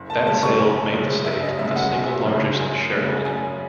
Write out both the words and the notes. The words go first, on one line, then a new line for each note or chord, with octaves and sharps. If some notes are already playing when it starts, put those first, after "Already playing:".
That sale made the state the single largest shareholder.
Already playing: F#1
A5
F#2 C#3 G#3 A5
C#6
F#1 G#5
F#2 C#3 G#3
F#1 E5
D#5
F#2 C#3 G#3 E5
F#5
F#1 G#5
F#2 C#3 G#3
F#2 G#5
C#3 G#3
F#2 G#5